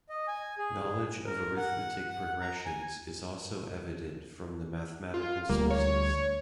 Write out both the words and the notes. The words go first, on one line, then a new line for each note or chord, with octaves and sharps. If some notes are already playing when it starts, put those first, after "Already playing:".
Knowledge of arithmetic progressions is also evident from the mathematical sources.
D#5
G#5
G#4
A#4
F#5
F#5
A#5
G#5
F4
D2 G3 A#3
C#5